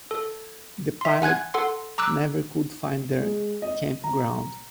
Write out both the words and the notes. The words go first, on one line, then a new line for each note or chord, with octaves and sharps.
The pilot never could find their campground.
A4
E5 C6
F#5 G#5 F#6 G#6
A4 F#5 C6
A#5 D6 E6 F#6
G#3
D#5
A#5